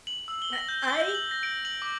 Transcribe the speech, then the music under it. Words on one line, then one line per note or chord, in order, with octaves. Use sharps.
right I uh
F#7
E6
G7
A#6
G6
G7
G6
F#7
A#6
D7
F#7
D6